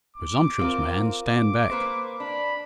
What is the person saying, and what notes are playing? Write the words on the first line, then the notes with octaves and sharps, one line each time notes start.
Presumptuous man, stand back.
D6
C4 F4 A#4
D6
A#3 B4 C5
D4 B5